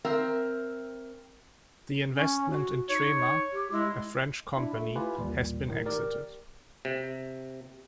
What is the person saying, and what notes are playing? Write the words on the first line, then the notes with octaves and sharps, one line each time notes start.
The investment in Trema, a French company, has been exited.
C4 A#4 E5
C#4
F#4
D#4 C#5
G4
G#3 E4
D4 E4
A3
E4 F4 G4 B4 G#5
A1 D#2 A#2 G3
A2 D#3
G4 A#4 D5
C3